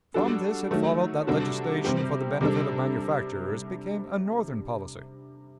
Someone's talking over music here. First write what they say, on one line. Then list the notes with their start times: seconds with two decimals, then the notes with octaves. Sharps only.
From this it followed that legislation for the benefit of manufacturers became a Northern policy.
0.14 G3 D4 F#4 A4
0.71 D#3 F#3 A3
1.27 C3 G3 D4 F#4 A4
1.84 C3 G3 C4 G4
2.41 C3 G3 D4 A4